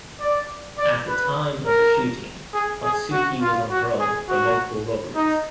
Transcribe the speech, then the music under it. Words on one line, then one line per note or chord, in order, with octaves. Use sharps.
At the time of the shooting Otsuki was on parole for multiple robberies.
D5
D5
B4
A#4
G#4
G#4
F#4
F4
F#4
G#4
F#4
D#4